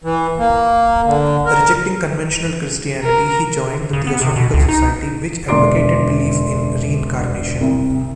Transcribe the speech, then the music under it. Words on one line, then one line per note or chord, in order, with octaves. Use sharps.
Rejecting conventional Christianity, he joined the Theosophical Society which advocated belief in reincarnation.
E3
A#3
D3
A#4
A#4
C#3
B3
C3
B2
C#2
D#4
E1 D3 D5 C6 D6 D7
C2 C3